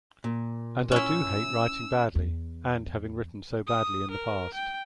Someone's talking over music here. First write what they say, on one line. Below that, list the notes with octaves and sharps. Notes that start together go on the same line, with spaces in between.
And I do hate writing badly-and having written so badly in the past.
A#2
C#4 E4 E6
E2
D#6
A#4
G5